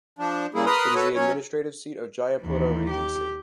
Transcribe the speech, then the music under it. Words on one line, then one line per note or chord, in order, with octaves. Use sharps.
It is the administrative seat of Jayapura Regency.
F3 D4
C#3 G3 A#3 E4 G#4
A#4 B4 B5 C6 D#6 F6
F#4 A4 B4 C#5
F#3 C#4 C#5
D#2 E3
G4